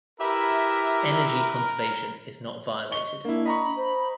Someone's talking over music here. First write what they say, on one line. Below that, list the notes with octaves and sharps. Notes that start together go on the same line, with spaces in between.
Energy conservation is not violated.
E4 G4 A#4 B4 E5
D#5 C#6 G7
A#3 D4 E4
D#5 A#5 B5 C#6
C5